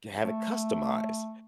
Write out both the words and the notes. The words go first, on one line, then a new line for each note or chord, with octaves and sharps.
ge have it customized.
A3